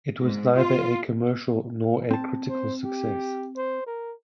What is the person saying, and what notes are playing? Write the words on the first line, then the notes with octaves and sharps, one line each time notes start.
It was neither a commercial nor a critical success.
G#2
F4
C4 A5
C5
G4
C5
A#4